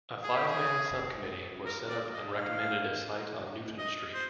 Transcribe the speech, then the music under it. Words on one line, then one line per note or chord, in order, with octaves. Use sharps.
A five-man sub-committee was set up and recommended a site on Newton Street.
G#4
G4
G#4
A#4
D5
D#5
F5
D#5
C5